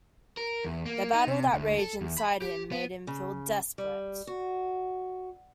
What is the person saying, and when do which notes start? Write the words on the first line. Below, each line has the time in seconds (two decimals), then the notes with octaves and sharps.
The battle that raged inside him made him feel desperate.
0.37 A#4
0.65 E2
0.86 A#3
1.13 D#4
1.27 C3
1.53 D2
1.78 A4
2.01 E2
2.18 B5
2.42 G4
2.72 B3
3.07 C#3
3.78 G3
4.27 F#4